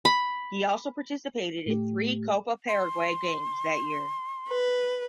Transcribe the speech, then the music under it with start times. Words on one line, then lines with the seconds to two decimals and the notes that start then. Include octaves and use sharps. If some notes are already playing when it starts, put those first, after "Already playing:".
He also participated in three Copa Paraguay games that year.
0.05 B5
1.66 A2 A3 G4
2.68 C6
4.48 B4